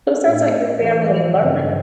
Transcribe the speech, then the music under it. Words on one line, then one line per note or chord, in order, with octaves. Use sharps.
So, it sounds like your family learned
A2
E3
G2 C#3